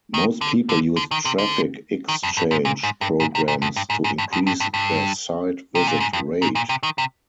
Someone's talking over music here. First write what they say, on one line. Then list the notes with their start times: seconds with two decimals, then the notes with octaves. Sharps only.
Most people use Traffic Exchange programs to increase their site visit rate.
0.14 D#3
0.41 D3
0.69 D3
0.97 D3
1.11 D#3
1.25 C3
1.38 D3
2.08 D#3
2.23 F2
2.37 G2
2.51 G#2
2.65 A#2
2.83 G#2
3.01 G2
3.20 G#2
3.35 C3
3.48 A#2
3.62 F2
3.76 G2
3.90 G#2
4.04 G#2
4.18 G2
4.33 F2
4.47 G2
4.60 G2
4.74 G2
5.75 C3
5.87 A#2
6.00 G#2
6.13 F2
6.42 G#2
6.55 A#2
6.69 C3
6.83 D#3
6.98 C3